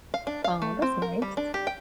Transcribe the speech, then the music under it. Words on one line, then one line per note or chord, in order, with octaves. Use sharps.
Oh, that's nice.
F5
D4
F5
A3
C4
A#4
G3
D4
G4
G5